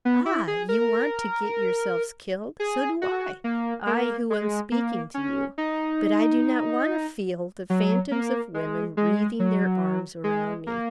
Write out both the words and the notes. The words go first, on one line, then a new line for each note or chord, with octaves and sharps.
Ah! you want to get yourselves killed, so do I--I, who am speaking to you; but I do not want to feel the phantoms of women wreathing their arms around me.
B3
E4
G#4
A#4
G#4
F#4
A#3
A#3
G#3
A#3
C#4
D#4
F#3
A#3
G#3
G#3
F#3
G#3
A#3